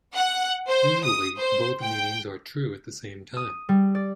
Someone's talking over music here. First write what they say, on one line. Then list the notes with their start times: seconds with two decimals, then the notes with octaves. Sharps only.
Usually both meanings are true at the same time.
0.15 F#5
0.68 C5
1.04 D#6
1.39 C5
1.81 G5
3.37 D#6
3.69 G3
3.95 D5